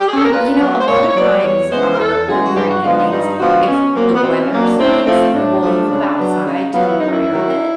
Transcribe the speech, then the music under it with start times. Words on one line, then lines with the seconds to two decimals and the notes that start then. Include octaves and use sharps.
Um, you know, a lot of times our ordinary evenings, if the weather's nice, we'll move outside to the fire pit,
0.01 G4
0.08 G#4
0.16 A4
0.25 A#4
0.32 A#2 B4
0.60 F#3 B3
0.80 C5
0.88 A#2 C#5
1.09 C#5
1.16 F#3 B3 D5
1.44 E2 C#5
1.71 C#3 E3 G#3 B3 C5
1.94 A#4
2.00 E2 A4
2.28 C#3 E3 G#3 B3 G#4
2.44 F#4
2.55 G2 G4
2.69 F#4
2.83 D3 F3 G#3 B3 F4
2.97 D#4
3.11 G2 D#4
3.39 D3 F3 G#3 B3 F#4
3.67 B2 C#4
3.95 F#3 A#3 C4
4.15 B3
4.23 B2 C4
4.42 C#4
4.51 F#3 A#3
4.61 D4
4.79 A2 C4
5.06 F3 A3 C4
5.34 A2 D4
5.62 F3 A3
5.91 C#3
6.19 F#3 B3
6.46 C#3 D#4
6.74 F#3 B3 F4
6.88 E4
7.00 F#2 D#4
7.13 E4
7.31 D#3 F#3